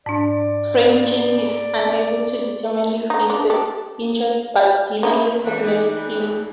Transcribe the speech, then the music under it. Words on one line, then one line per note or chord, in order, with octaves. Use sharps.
Franklin is unable to determine if he is injured; but Delenn recognizes him.
G#2 D4 D5
A3 D#4
D4
G4 A4
C#3 D#4 E4
E3 G3 F#6
D#4 D5 G#5